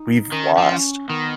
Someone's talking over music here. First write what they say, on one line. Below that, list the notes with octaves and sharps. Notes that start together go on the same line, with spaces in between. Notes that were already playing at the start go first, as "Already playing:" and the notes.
we've lost.
Already playing: D#4
D#3 C#4
F3
C#4
D#3 B3